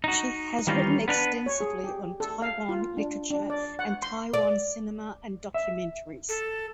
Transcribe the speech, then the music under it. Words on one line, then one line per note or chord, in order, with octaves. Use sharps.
She has written extensively on Taiwan literature and Taiwan cinema and documentaries.
D#4 F#4
D#3 E3 G3 C#4 D#4 F4
B3 D4 A#4 B4
C#5
G#4
G4
A4
F5
F4
D4
D4
D5
F#5
C6
D5
E5
A4